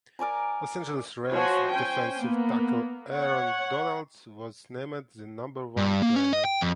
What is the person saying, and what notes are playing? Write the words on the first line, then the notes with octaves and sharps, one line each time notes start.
Los Angeles Rams defensive tackle Aaron Donald was named the number one player.
A#4 D5 G#5 A#5
F3 F#4 C5 C#5 G#5
C#4 C5 G5 G#5
A#3 B3
C#5 F#5
G2
A#3
C#4
D#5
G5
F2